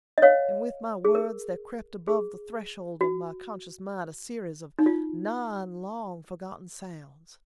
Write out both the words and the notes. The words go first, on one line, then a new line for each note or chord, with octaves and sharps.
And with my words there crept above the threshold of my conscious mind a series of nine long forgotten sounds.
D#5
C#5 F5
G#4
A#4
G#4
F#4
D#4
F4